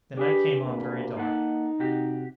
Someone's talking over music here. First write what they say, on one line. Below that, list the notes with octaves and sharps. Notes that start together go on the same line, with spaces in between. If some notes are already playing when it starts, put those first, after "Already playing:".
The night came on very dark.
D4 G4 G#4 B4
D2 C3 A#3
A#3 D#4 A4 F#5
C3 F#4 G4